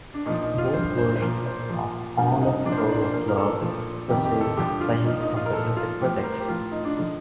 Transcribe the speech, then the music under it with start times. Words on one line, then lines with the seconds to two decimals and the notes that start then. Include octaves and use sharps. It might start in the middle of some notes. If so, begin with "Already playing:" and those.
Both versions of "All Is Full of Love" received acclaim from music critics.
0.14 D4
0.26 A#2 F3 D#4
0.42 D#4
0.58 F4
0.74 G2 F3 C5
0.98 C5
1.16 C5
1.21 A#2 F3 A#4
1.46 C5
1.70 A#2 F3
2.17 G2 F3 A#4
2.42 D#4
2.65 A#2 F3 D4
2.72 C5
2.77 A#4
2.89 D5
3.02 C5
3.13 A#2 F3 A#4
3.28 A#4
3.38 A4
3.61 A#2 F3
4.08 F2 C3 D#3 G4
4.25 G4
4.41 A4
4.57 G2 D3 F3 G4
4.81 F4
5.04 A#2 F3 D#4
5.21 D#4
5.36 F4
5.46 A#4
5.53 A#2 F3 A4
5.77 F4
6.00 A2 F3 G4
6.18 C5
6.24 A#4
6.40 G4
6.48 A2 F3 F4
6.71 D#4
6.85 D4
6.96 D3 F3 D#4